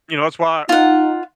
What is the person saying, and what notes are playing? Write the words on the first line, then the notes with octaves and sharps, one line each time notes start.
You know, that's why
D#4 F4 F#5